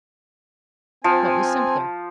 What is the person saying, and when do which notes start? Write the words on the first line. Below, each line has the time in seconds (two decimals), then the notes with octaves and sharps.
What was simpler?
1.04 F3 C4 G#5